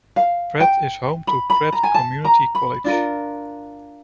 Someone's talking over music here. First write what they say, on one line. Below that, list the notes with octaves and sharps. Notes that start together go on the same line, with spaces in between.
Pratt is home to Pratt Community College.
F5
G5
B5
B5
A#5
G#5
A5
A#5
B5
D4 F4 A#4